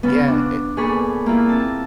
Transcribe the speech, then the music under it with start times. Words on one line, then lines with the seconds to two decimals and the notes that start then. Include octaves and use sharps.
Yeah, a
0.03 C#3 B3
0.28 D4
0.77 A#2 G#4 A4 B5 C#6
1.26 A#3 E4 F4
1.46 C4 A5